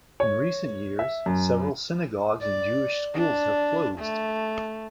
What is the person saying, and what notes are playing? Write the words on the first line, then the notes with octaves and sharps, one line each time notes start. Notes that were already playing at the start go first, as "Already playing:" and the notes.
In recent years, several synagogues and Jewish schools have closed.
C#5
E5
F#2
D5
D4
A3